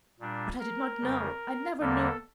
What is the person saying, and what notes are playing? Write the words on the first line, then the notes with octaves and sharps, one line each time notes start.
But I did not know; I never knew!
A#2 G3 D4
A#4
F2 C#3 G3
E2 D3 G3 A#3 A4